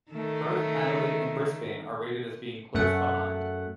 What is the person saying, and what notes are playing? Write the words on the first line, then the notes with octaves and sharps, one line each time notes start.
Perth, Adelaide and Brisbane are rated as being close behind.
D#3 A3
F#2 A3 F#5